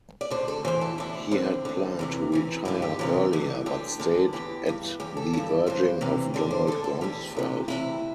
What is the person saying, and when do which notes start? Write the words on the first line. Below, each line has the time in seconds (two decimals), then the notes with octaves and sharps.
He had planned to retire earlier, but stayed at the urging of Donald Rumsfeld.
0.21 D5
0.30 D2 D3 C5
0.48 A4
0.65 E2 E3 C5
0.81 A4
0.98 D2 D3 E4
1.31 E2 D3 C4
1.65 D2 D3
1.99 E2 C3 E3
2.32 E2 C3 E3
2.65 G2 D3 E4
2.82 G4
2.99 E2 C3 E3 G4
3.33 G2 E3
3.66 D2 D3 G4
4.00 E2 D3
4.33 E2 E3 G4
4.66 G2 E3
5.00 E2 E3 G4
5.17 A4
5.33 G2 E3
5.67 G2 E3 C5
6.01 E2 C3 E3
6.34 D2 D3 D5
6.51 C5
6.67 D2 D3 A4
6.84 A4
7.01 E2 D3 G4
7.35 D2 C3 E3
7.68 D2 C3 E3 E4